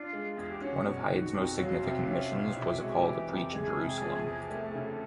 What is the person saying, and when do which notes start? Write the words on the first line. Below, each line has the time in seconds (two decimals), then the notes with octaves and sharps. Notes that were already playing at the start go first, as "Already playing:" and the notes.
One of Hyde's most significant missions was a call to preach in Jerusalem.
Already playing: D4 F4
0.13 G#3
0.33 E2 G#4
0.47 G4
0.61 C#4 F#4
0.85 B2
1.10 D#3
1.34 F2
1.59 F#3 F4
1.83 C3
2.07 C#4
2.32 B2
2.56 E4 G#4
2.67 G4
2.77 G#3 F#4
2.87 G4
3.04 E3
3.28 F2
3.53 G#3 G#4
3.77 C3
4.01 F3
4.26 E2
4.50 A3 A#4
4.61 A4
4.72 C#3 G#4
4.82 A4